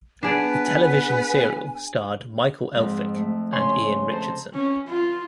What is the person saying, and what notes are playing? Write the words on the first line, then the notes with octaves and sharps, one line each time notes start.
The television serial starred Michael Elphick and Ian Richardson.
B3 D4 G#4 D5 G#5
F2 G#2 G#3
A3
C#3 C#5 G#5 C6
A4 C5 A#5
C#4
F4